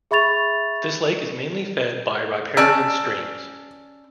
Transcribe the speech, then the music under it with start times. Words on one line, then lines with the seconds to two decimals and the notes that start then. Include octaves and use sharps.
This lake is mainly fed by riparian streams.
0.11 G#4 E5 B5 C#6 A6 F7
2.57 C#4 D5 A5 E6 D7